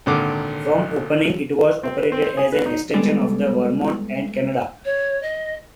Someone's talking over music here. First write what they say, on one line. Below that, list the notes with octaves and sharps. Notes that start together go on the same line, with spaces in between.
From opening it was operated as an extension of the Vermont and Canada.
G#1 A#2 D3 A#4 D6
C4
B4
C4
C5
G#4
B4
D#4
G3 G#3 B3 A4 D5
C#5
D#5